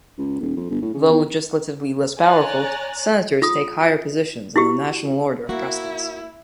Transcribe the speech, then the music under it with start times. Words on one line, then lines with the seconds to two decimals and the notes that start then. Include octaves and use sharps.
Though legislatively less powerful, senators take higher positions in the national order of precedence.
0.18 C#2
0.41 D#1
0.56 F2
0.70 G1
0.82 A2
0.94 C#3
1.09 E2
2.19 C#5 D5 G#5 A#5 F#6 A6
3.42 F4 D#6
4.56 E4 F#4 G4
5.49 A#3 E4 F#4